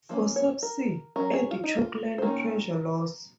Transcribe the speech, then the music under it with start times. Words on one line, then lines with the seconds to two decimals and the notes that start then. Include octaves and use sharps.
For subsea, add choke line pressure loss.
0.09 F3 A#3 C#4
0.36 C#5
0.63 A#4
1.16 F#3 C#4 A#4
1.34 G#4
1.51 F4
1.64 D#4
1.77 F4
2.18 C5
2.22 D#3 A#3 C#4 A#4